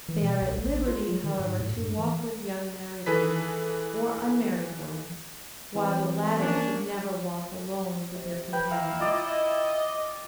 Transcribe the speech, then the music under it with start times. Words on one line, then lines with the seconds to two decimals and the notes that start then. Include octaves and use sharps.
They are at liberty however to walk with young married ladies or unmarried ones, while the latter should never walk alone with their companions.
0.09 E3
0.22 B2
0.42 C2
0.58 A1
0.88 F4
1.09 F#3
1.24 D#3
1.39 G#2
1.60 A2
1.78 G2
1.99 E3
3.06 E3 G#4 A4 B4 B6
5.75 E3 C4
6.39 A#3 C#4 D4
8.15 C3
8.53 B4 G5
8.71 E4 F5 A#5
9.00 F4 D5 D#5